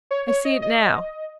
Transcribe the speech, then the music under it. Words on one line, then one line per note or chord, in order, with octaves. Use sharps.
I see it now.
C#5
C#5
D#5
D#5